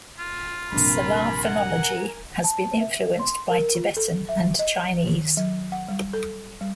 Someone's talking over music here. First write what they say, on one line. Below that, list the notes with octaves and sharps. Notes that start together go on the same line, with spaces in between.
Salar phonology has been influenced by Tibetan and Chinese.
F4
A#1 G2 C3 A#4 G#5 A#5 B5
F#5
A5
E5
C6
A#4
F4
A4
E5
D#5
D#3
F#3
F#5
G3
A4
G3